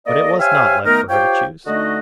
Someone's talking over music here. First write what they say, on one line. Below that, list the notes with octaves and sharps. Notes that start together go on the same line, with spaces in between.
But it was not left for her to choose.
A#3 A4 D5 D#5
G4 C5 C#5 E5 F5 G#5
D#3 A3 B3 D#4 A#4
F4 G4 C5 C#5 G5
D3 A3 D#4 F#4 D#5